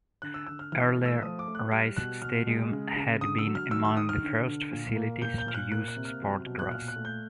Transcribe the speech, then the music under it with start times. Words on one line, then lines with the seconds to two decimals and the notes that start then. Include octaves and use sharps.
Earlier, Rice Stadium had been among the first facilities to use SportGrass.
0.22 D3 F#6
0.34 E6
0.46 D3 E6
0.59 F6
0.72 E3 F6
0.80 E6
0.88 F6
0.97 A3
1.05 E6
1.22 F3 D#6
1.39 D6
1.48 A3
1.55 F#6
1.71 G3 F6
1.96 B2 F#6
2.22 B2 F6
2.47 G#3
2.72 C#3
2.96 C#3
3.21 D3 D#6
3.38 E6
3.47 F#3
3.55 F6
3.71 D#3 E6
3.85 E6
3.96 D#3 D#6
4.09 F6
4.22 D3
4.47 D3
4.71 A#2
4.96 A#3
5.21 A#2 G6
5.38 G6
5.46 A#2 F6
5.54 F#6
5.72 A#3 F#6
5.88 F#6
5.97 C3
6.05 F6
6.21 F#3
6.46 B2
6.59 F#6
6.71 A#2 F6
6.88 F#6
6.96 A3
7.05 G6